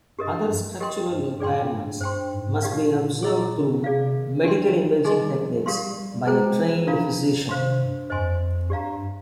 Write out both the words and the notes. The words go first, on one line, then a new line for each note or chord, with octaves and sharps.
Other structural impairments must be observed through medical imaging techniques by a trained physician.
G2 G4 A#4 D#5
G4 A#4 D#5 G5 C6
G2
A#2 G#4 D5 G5 C6
G2
G2 C5 G5 C6
G#2
A#2 D#4 G4 D5 F5
G#4 D#5 A#5
D3
C3 G#4 D5 F5
D#3
D4 G4 D5 G5 C6
D#3
G3 D#4 G#4 D#5 G#5 C6
F3
G3 G4 A#4 F5 C6
G3
G#3 G#4 C5 G5 A#5
F3
D4 F4 A#4 F5 A#5
D#3
C3 C5 F5 C6
G2
F2 C5 D#5 G#5 C6
G2 G4 D5 F5 A#5